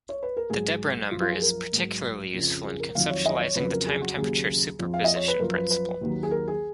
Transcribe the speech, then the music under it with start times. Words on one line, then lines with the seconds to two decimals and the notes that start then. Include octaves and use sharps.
The Deborah Number is particularly useful in conceptualizing the time-temperature superposition principle.
0.09 C#5
0.23 B4
0.37 A#4
0.50 G#2 F#3 G#4
1.11 F#2 F3 F4
1.22 F4
1.32 G#4
1.42 A#4
1.72 G#2 F#3
2.34 F2 C#3 F3
2.64 G#4
2.79 A#4
2.95 F2 D#3 F#3 F5
3.10 C#5
3.26 D#5
3.41 C#5
3.56 F2 C#3 F#3 B4
3.72 A#4
3.87 G#4
4.02 F#4
4.17 D#2 C#3 F#3 G#4
4.79 F2 F3
4.94 F5
5.04 D#5
5.16 C#5
5.28 B4
5.40 F#2 F3 A#4
5.55 B4
5.70 B4
6.01 D#2 D#3 F#3
6.23 G#4
6.31 A#4
6.48 G#4